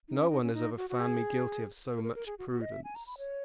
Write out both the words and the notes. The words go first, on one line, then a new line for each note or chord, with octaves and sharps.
No one has ever found me guilty of so much prudence.
D#4
C#4
D#4
C#4
D#4
F#4
F#4
G#4
A#4
A#4
A#4
G#4
F#4
F#4
D#5
E5
G#5
A#5
B5
C#5